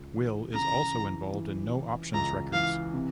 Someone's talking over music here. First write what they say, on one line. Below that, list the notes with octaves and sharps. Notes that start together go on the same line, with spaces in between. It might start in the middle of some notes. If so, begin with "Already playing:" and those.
Will is also involved in No Options Records.
Already playing: C#2
E3
C#3 A#5
E3
E3
E3
C#2 A#5
E3 F5
C3